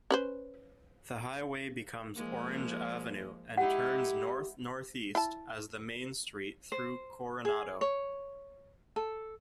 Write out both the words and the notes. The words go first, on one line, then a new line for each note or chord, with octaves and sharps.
The highway becomes Orange Avenue and turns north-northeast as the main street through Coronado.
C#4 B4 C5
F3 G#3 A#3
G#3 D#4 E4 G4 F#5
E4 A5
C5
G#4
C#5
A4